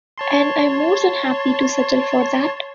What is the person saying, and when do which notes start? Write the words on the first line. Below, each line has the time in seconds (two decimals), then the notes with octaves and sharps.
And I'm more than happy to settle for that.
0.18 C#5 A5 C6